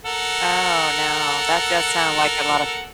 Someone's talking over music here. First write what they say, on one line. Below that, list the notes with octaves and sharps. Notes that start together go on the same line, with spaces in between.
Oh, no. That does sound like a lot of
A4 A#4 F#5